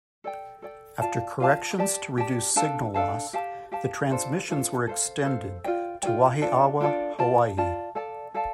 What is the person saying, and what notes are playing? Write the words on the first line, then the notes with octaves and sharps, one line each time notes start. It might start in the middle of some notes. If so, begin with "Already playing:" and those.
After corrections to reduce signal loss, the transmissions were extended to Wahiawa, Hawaii.
A4 D5 G5
A4 D5 G5
F4 D5 F5 A5
F4 D5 F5 A5
G4 D5 A5
G4 D5 A5
D4 A4 F5 A5
D4 A4 F5 A5
G4 F5 A5
G4 F5 A5
D4 F4 A4 C5
D4 F4 A4 C5
A4 C5 F5
A4 C5 F5
F4 A4 D5 G5
F4 A4 D5 G5
D4 F4 A4 D5
D4 F4 A4 D5
F4 D5 A5
F4 D5 A5
A4 D5 F5 A5
A4 D5 F5 A5